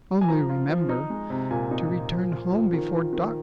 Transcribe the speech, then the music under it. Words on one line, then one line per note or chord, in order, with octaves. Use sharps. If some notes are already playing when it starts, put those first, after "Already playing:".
Only remember to return home before dark.
G#5
F3 A#5
F4
F3
D#4
G#3
C3
A#2 G#5
D#4
A#2
F3
F4
F3
D#3
F4
D#3